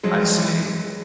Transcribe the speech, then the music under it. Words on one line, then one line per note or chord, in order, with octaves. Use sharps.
I see.
F3 F#3 G#3
F3
F3
E3